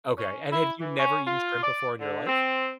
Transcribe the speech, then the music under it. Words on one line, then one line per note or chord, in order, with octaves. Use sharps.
Okay, and had you never eaten shrimp before in your life?
C#4
E4
E3
C#4
F4
D5
D3
C4